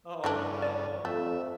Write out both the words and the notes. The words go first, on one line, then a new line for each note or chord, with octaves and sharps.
Oh, no.
G2 E3 A3 C#4 D4
D5
F2 A3 E5